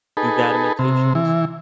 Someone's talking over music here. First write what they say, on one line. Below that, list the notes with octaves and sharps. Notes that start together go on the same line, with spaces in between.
do guided meditations.
D#4 G#4 A4 B4
C3
E3